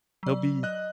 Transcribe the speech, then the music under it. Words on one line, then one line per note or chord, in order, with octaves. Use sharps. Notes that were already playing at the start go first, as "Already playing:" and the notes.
He'll be
F#3 D5
D#5 F#6